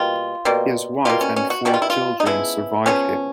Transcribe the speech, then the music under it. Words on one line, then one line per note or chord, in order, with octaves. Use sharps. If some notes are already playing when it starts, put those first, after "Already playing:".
His wife and four children survived him.
Already playing: B2 G3 A#3 F4
B2 G3 A#3
B2 G3 A#3 F4
C#4
C#4
F#4
B2 G3 A#3 F#4
F4
E4
F4
D#4
C#3 F3 G#3 B3 E4
C#3 F3 G#3 B3 C#4